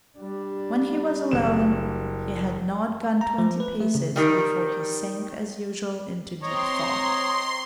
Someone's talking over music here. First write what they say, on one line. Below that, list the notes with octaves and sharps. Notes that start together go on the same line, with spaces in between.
When he was alone, he had not gone twenty paces before he sank, as usual, into deep thought.
G3 D4
F#1 E7
A#5
F3
B4
A3
C#3
D#3 G3
C4 C#5 D#5 A#5 C6